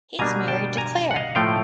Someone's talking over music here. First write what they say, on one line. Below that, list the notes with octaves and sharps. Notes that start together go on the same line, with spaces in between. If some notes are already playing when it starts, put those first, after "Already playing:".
He is married to Claire.
B2 G3 A#3 D4 G#5 A#5
G5 A5
G#5 A#5
F#5
D#5 F5
A2 F3 A3 F5 G5